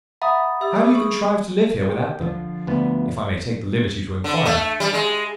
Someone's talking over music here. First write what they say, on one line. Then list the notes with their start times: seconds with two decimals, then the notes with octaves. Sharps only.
'How do you contrive to live here without them? if I may take the liberty to inquire.
0.22 E5 F#5 A#5 B5 D#6
0.61 G4 E5 E6
0.95 G#4 C#6
1.90 G4
2.21 D3 F3 F4
2.67 D2 B3
4.24 D3
4.45 A3
4.80 G3
4.93 G#3